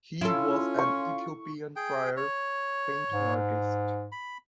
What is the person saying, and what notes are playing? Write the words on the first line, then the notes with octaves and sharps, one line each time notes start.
He was an Ethiopian prior Painting Artist.
C#4 E4 F4 A4
C#6
G#4 G5
C#5
G#2
B5